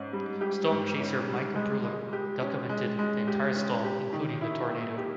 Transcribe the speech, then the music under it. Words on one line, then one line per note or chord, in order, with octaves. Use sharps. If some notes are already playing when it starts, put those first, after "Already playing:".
Storm chaser Mike Brulo documented the entire storm, including the tornado.
Already playing: G#2 C#4
G3
G4
G#2
C#4
G3
G#3
G#3
G4
C#4
G#3
G#3
G4
C#4
G4
D#3
E4
A#3
G4